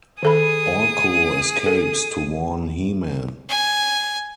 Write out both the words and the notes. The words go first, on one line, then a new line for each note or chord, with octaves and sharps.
Orko escapes to warn He-Man.
D#3 G#4 A4 B5 D#6
A4
G#5